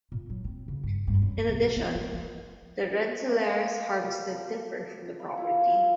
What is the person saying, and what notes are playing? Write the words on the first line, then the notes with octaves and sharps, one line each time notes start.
In addition, the Rensselaers harvested timber from the property.
A#2
F#3
C4
C#3
G2
G2
F#2
D#3
B1
A#3
C4
F3
A#3 F#5 D6
C5 C#6
A5 D6
F5 B5
E4 F4 F5
B3 G#4 B4 C#6